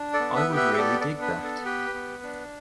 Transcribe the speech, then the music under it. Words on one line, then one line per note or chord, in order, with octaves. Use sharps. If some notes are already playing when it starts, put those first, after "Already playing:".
I would really dig that.
Already playing: D4
A4 D5
B3
B4 E5
G4
B4 E5
E5
B3 A4 D5
A4 D5
D4
B4
B3
A4
G4 B4
B3
D4